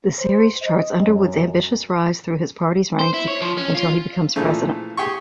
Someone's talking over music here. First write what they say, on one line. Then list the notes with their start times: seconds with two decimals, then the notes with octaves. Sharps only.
The series charts Underwood's ambitious rise through his party's ranks until he becomes President.
0.19 C5
0.62 D#5
1.05 F#2
2.99 C5
3.14 E4
3.28 C#5
3.42 F3
3.58 C#4
3.75 F4
4.36 A#2 C#3 E3 F3 A3
4.97 G4 G#4 G5 C#6